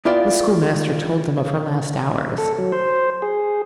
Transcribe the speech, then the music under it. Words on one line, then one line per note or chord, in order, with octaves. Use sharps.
The schoolmaster told them of her last hours.
B3 E4 F4 D5 G5
A4
F#3
C5
G#4